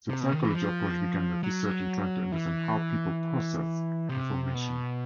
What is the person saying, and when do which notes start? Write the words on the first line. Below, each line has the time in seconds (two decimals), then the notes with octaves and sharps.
The psychology approach began with research in trying to understand how people process information.
0.09 C3
0.21 B2
0.32 D#3
0.43 E3
0.54 F3
1.43 F#3
2.32 E3
4.09 C3
4.54 B2